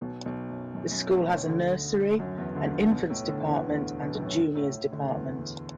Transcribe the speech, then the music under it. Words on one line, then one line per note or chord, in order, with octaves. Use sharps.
The school has a nursery, an infants department and a juniors department.
B1 B2
B1 B2
F#2
F#2
F#2
A2
B1 B2
D2 D3
F#2 F#3
E2 E3
D2 D3
D2 D3
B1 B2
A2
D2 D3
E2 E3
D2 D3
B1 B2
F#2
A2
A2
A2
D2 D3
E2 E3